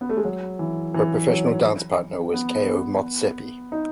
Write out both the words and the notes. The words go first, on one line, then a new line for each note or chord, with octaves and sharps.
Her professional dance partner was Keo Motsepe.
B3
A3
G#3
F#3
E3
E3
F#3
B3
D#4